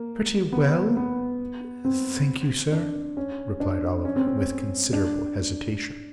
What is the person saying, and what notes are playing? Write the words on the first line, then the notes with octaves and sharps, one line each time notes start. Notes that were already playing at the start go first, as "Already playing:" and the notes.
'Pretty well, thank you, sir' replied Oliver, with considerable hesitation.
Already playing: A#3
B3
B3
C4
D4
C#4
D4
C#4
C4
C4
C#4
D4